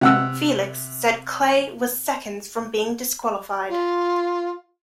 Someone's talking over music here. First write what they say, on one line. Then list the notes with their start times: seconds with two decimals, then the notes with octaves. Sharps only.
Felix said Clay was seconds from being disqualified.
0.01 C3 F#5 E6
3.69 F4